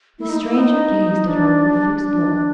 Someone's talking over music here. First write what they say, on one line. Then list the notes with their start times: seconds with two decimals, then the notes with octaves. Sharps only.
The stranger gazed at her with a fixed look.
0.19 E4
0.29 D#4
0.40 E4
0.55 D#4
1.27 D4
2.00 D4